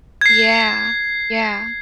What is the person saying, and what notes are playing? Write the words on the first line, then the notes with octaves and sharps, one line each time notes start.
Yeah, yeah.
G#6 C7